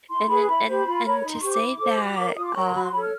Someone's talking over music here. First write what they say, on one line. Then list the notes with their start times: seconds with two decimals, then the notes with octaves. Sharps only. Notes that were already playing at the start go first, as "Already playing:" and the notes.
And then, and and to say that, um,
0.09 E4 C6
0.28 G#4 B4 B5
0.47 E4 B5
0.66 G4 C5
0.85 F4
1.04 A#4 C#5
1.22 D#4 B5
1.32 C6
1.41 G4 C5 C#6
1.51 D6
1.60 E4
1.79 A4 C5
1.97 F#4
2.16 A#4 C#5
2.35 F4 D#6
2.45 D6
2.54 A#4 C#5 C#6
2.64 C6
2.72 F#4 B5
2.82 C6
2.91 A4 C#5 B5
3.01 F6